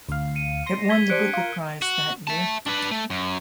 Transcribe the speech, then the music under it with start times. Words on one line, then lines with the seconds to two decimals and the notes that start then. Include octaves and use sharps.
It won the Booker Prize that year.
0.09 D2 F5
0.35 C#7 D#7
0.66 C6 A#6
0.89 G#6 B6 G7
1.10 G3 C4 D4 F#6 C#7 D7
1.33 F4 A#4
1.82 F#4
2.27 E5 A5
2.66 D4 B4
2.91 A3
3.10 F#2